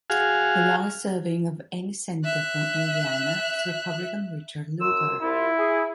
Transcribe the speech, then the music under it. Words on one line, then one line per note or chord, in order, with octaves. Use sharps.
The longest-serving of any Senator from Indiana is Republican Richard Lugar.
F#4 G#4 F5
E5 F#6
F#2 C6 E6
C2 E4 F4
G#4